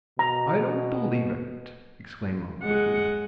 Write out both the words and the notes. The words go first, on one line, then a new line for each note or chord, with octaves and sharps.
"I don't believe it!" exclaimed Uncle Wiggily.
B2 A#5
G#3 F#5